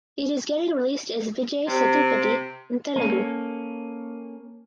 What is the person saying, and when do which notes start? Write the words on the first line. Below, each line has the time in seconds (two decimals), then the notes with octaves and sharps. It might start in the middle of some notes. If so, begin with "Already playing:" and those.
It is getting released as "Vijay Sethupathi" in Telugu.
1.67 C3
2.96 A#3 C#4 A4